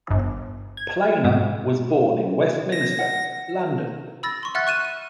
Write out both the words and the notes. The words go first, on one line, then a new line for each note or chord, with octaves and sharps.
Planer was born in Westminster, London.
G1
G#6
G#2
A#6
F#5
B5 E6 A6 A#6
C6 C#6
E5 F#5 F6 F#6 A6
C#6 F#6 D#7 E7
D#7